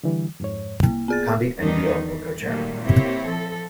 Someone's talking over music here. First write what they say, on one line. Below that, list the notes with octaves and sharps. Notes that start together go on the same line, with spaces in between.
Condit and Deal were co-chairmen.
D3 E3 G3
F2 G#2 C#5
C2 A#3
B3 G#4 A6
E2 D#3 E3 G3 D4 D#4
E3
A#2 D#3 F#3 G3 A3 A#3
A#3 C4 E4 G4 C#5
F3 A4